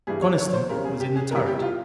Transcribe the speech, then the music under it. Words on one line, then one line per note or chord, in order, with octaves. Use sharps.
Coniston was in the turret.
G2 E3 G3 G#4
C#5
C#5
C5
E2 C#3 G3 A#4
G#4
G4
G#4
E2 E3 G3 A#4
G4
F4